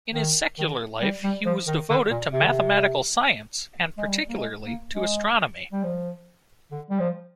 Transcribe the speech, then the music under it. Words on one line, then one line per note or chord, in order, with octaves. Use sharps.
In his secular life he was devoted to mathematical science, and particularly to astronomy.
D#3
D#3
G3
G3
F3
D#3
D3
A#2
C3
D3
C3
G#3
G3
A#3
G#3
A#3
G#3
G3
F3
D3
G3
F3